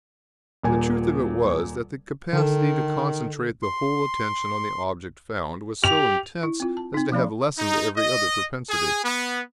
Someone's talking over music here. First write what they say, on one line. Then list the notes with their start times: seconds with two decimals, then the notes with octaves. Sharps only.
The truth of it was that the capacity to concentrate the whole attention on the object found was so intense as to have lessened every other propensity.
0.63 D#1 A#2 G#5
2.33 D3 D#3 A4
3.63 C6
5.84 G4 F7
6.43 E4
6.60 C4 F4
6.77 A5
6.94 C4 D#4
7.12 F3 A#3 D5 B5
7.58 D#4
7.97 D#5
8.69 G#4
9.04 B3